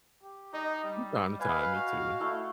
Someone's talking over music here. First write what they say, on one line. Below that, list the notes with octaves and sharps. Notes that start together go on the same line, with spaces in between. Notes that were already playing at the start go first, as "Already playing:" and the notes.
From time to time, me too.
G4
D#4 D#5
G3
B4 F5 G#5
F#4
A3 E4